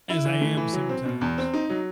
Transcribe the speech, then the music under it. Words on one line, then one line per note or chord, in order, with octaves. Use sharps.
as I am sometimes.
E4
E3
A3
E3
F#3
C4
B2
E2
C4
D#4
F#3